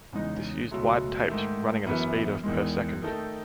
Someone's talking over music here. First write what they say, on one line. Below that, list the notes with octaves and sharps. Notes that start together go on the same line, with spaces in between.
This used wide tapes running at a speed of per second.
E2 C#3 G#3 D#4
C#2 B2 F#3 A3
G#2 D#3 A3
F#2 E3 B3
E2 D#3 G#3
D#3 A3 D#4 A4